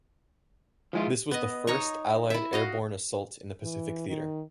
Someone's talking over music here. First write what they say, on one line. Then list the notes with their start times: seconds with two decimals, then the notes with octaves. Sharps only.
This was the first Allied airborne assault in the Pacific Theater.
0.93 D#3 F3 G#3 E4 F4
1.31 B3 D#5
1.67 D#4 C#5 A#5 C#6
2.30 E4 E5
2.53 F#4 D#5 F5
3.62 E3
4.09 D#3